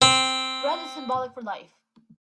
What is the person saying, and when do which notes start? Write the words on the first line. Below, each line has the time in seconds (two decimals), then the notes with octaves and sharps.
Bread is symbolic for life.
0.02 C4